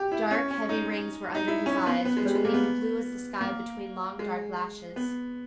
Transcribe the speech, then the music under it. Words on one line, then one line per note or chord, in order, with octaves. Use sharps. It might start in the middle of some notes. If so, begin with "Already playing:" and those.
Dark, heavy rings were under his eyes, which gleamed blue as the sky between long dark lashes.
Already playing: G4
E4
C#4
C#4
D#4
D#4
E4
C#4
B3
B3
G#3
G3
G#3
A#3
B3
A#3
G#3
B3